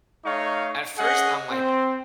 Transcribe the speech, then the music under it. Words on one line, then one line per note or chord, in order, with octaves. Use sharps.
at first, I'm like,
A3 D#4 C#5 F5 C#6
C#4 G#4 D#5 F#5
C4